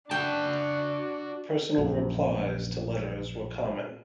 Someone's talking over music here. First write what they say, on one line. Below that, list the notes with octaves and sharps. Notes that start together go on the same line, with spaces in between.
Personal replies to letters were common.
D4 F#4 G5 A5
A#1 F#2